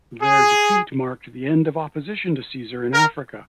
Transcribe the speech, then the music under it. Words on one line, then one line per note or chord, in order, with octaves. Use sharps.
Their defeat marked the end of opposition to Caesar in Africa.
G#4
A#4